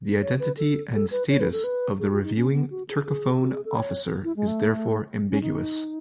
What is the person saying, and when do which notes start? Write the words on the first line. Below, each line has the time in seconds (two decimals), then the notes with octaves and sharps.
The identity and status of the reviewing, turcophone officer is therefore ambiguous.
0.22 C#5
0.40 B4
0.58 A4
0.94 A4
1.11 B4
1.29 C#5
1.40 B4
1.52 A4
1.64 B4
1.99 G#4
2.12 F#4
2.24 D#4
2.36 C#4
2.53 B3
2.70 F#4
2.89 G#4
3.05 G#4
3.41 F#4
3.53 G#4
3.65 A4
3.76 C#5
4.24 E4
4.36 G#3
4.48 A3
5.30 C#4
5.42 D#4